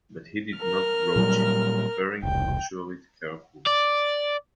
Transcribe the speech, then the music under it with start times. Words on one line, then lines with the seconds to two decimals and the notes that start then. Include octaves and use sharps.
But he did not broach it, preferring to mature it carefully.
0.57 A#4 F6
1.16 A#2 F#3 G3
2.23 E1 C2 G5
3.67 D5